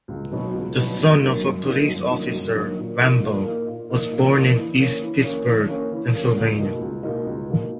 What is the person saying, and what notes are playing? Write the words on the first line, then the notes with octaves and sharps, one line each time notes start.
The son of a police officer, Wambaugh was born in East Pittsburgh, Pennsylvania.
C#2
B2 F#3 B3 D#4
C#2
B2 F#3 B3 D#4
F#2
D#3 F#3 A#3 D#4
F#2
D#3 F#3 A#3 D#4
F#2
D#3 F#3 A#3 D#4
F#2
D#3 F#3 A#3 D#4
A#2
A#3 D#4
A#2
A#3 D#4
A#2
A#3 D#4
A#2
A#3 D#4
E3
A#3 C#4
E3
A#3 C#4
E3
A#3 C#4
E3
A#3 C#4
C#2
B2 A#3 D#4
C#2
B2 A#3 D#4
C#2
B2 A#3 D#4